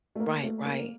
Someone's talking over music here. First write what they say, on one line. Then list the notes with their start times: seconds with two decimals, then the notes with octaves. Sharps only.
Right, right.
0.15 A3
0.20 A#3
0.43 A3
0.65 A#3